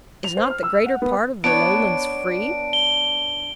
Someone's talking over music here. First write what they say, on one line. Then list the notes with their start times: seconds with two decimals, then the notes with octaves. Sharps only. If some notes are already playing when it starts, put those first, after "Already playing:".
Is not the greater part of the Lowlands free?
0.24 F7
0.37 C5
0.50 F6
0.63 E6
0.86 F#5
1.02 B3
1.44 B3 D4 C#5 D7
2.73 G7